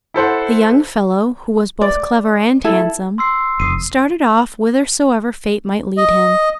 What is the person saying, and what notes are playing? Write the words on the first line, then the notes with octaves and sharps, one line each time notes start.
The young fellow, who was both clever and handsome, started off whithersoever fate might lead him.
E4 A4 C5 F#5
D5
E4 A4
C6 E6 C7
F1 D#6 C7 D#7
D#5